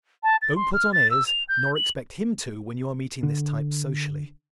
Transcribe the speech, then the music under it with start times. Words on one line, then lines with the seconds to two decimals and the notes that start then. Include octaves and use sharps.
Don't put on airs nor expect him to when you are meeting this type socially.
0.23 A5
0.42 A6
0.55 C6
0.73 F6
0.93 A6
1.11 E6
1.27 F7
1.49 G6
1.75 F#7
3.23 D3